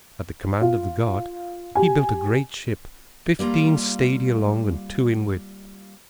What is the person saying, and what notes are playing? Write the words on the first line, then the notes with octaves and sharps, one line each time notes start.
At the command of the god he built a great ship fifteen stadia long and two in width.
F4
G4 G#5
G3 A#3 F4 A#5